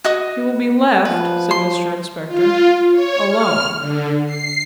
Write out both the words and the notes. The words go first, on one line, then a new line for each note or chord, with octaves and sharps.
'She will be left,' said Mr Inspector, 'alone.'
F#4 D#5 D#6
F3 B4
C6
F4
C#5
F6
D3
C7